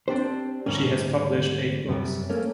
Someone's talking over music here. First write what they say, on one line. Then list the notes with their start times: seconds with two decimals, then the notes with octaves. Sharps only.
She has published eight books.
0.08 C4 D4 G4 C5
0.66 D2 G#2 G3 C#4
1.89 F#2 C3 G3
2.30 A3 A#3 C#4